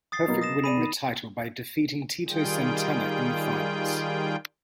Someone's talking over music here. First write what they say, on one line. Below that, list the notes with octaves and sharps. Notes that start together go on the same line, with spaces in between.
Perfect winning the title by defeating Tito Santana in the finals.
D#6 A6 C7
B2 F#3 A#3
D#6 A#6 E7
G#4 D5 B5 D#7
D#3
D#3 G3 F4 G#4 G5